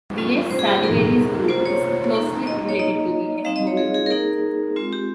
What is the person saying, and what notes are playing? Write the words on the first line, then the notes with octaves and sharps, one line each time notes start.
The S. salivarius group is closely related to the S. bovis group.
G3 C#4 F4
C5
G#4
G4
G#4
G3 A#3 D#4 A#4
A#3 F4 C5
C#5
A#3 D#4
D#5
C#5
A#3 D#4 D#5
G3 C4 D#4 F5
D#5
C#5
G#4
G#4
A#4
A#3 D#4 G#4
G#3 C4 F4
G4